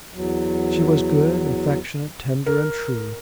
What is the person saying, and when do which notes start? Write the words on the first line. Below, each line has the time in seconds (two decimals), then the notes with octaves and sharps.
She was good, affectionate, tender, and true.
0.14 E2 F#3
2.46 A#4